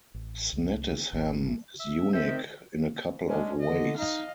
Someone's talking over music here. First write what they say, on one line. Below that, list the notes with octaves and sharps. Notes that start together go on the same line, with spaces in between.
Snettisham is unique in a couple of ways.
A1
C2
G#1
E5
C4 A4 E5
D#3
G#3 C#4 D4
D3 D#5
D#4 D#5 F5